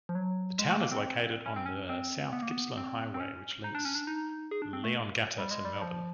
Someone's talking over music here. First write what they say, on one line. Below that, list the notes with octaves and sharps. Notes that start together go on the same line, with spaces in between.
The town is located on the South Gippsland Highway which links Leongatha to Melbourne.
F3
F#3
G#3
A3
A#3
C4
C#4
C4
C#4
C4
B3
A#3
B3
C4
C4
C#4
D#4
D4
C#4
D4
D#4
G#4
D4
C4
A3
G3
G#3
G3
F3